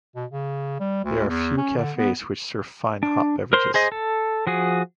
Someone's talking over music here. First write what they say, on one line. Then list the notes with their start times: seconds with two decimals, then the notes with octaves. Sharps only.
There are a few cafes which serve fine hot beverages.
0.15 B2
0.31 C#3
0.80 G3
1.04 D2
1.28 E2
1.58 C#4
1.77 D3
1.97 B3
3.03 D4
3.53 A#4 C5 C6
3.74 G#4 C5 D#5
3.92 A4
4.47 F3 F#4 G#4